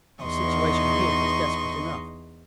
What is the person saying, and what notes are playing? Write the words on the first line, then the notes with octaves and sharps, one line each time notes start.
Our situation here was desperate enough.
E2 D#4 D#5 C6 C#6